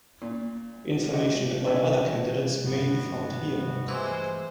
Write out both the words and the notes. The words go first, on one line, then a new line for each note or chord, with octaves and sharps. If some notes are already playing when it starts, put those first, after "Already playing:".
Information about other candidates may be found here.
A#2
G#3 A3 D#4 F#4 G4
G#3 D4 D#4 G#4 E5
G2 F3 A3 B3 F#4
C3 E3 G#3 C5